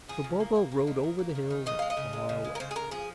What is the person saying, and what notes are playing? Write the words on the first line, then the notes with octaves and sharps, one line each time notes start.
So Bobo rode over the hills and far away.
F3 G#4
C#3
A#3
A#3
A#3
D#3
A#3
A#3
D#3
D#3
C#3 D#5
G#3 F5
D#5
C#3
G#3
C#3
G#3
A#4
C#3 C5
G#4
C#3 A#4
F3 G#4